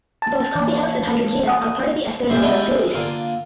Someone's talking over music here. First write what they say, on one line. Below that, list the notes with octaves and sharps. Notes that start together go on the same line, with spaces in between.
Both "Coffee House" and "Hydrangea" are part of the Esther Emmanuel series.
A5
E3 A#3
C#5
F#5 D#6
A#1 A#3 C5 E5 C6
G3 G#3 B3 D4 E4
D3 A#3 F4